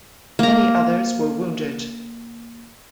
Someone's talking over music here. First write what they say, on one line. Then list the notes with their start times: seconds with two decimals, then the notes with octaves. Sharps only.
Many others were wounded.
0.39 A#3 A#5